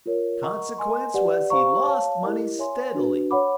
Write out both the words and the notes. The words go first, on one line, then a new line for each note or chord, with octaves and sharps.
Consequence was he lost money steadily.
F4 A#4 C#5
A#4 D#5 F#5 A#5 C#6
A#4 D#5 G#5 C6
G4 B4 D5 F#5
G4 C5 F5 A#5 C#6
C#5 F5 A5
E4 G4 A#4 D#5
C#5 E5 G#5 C6
D4 F#4 B4
C#5 F#5 B5 D6